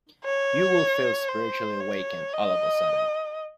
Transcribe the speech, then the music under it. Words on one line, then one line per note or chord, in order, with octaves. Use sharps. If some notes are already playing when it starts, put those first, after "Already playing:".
You would feel spiritually awakened all of a sudden.
C#5
C5
C#5
D#5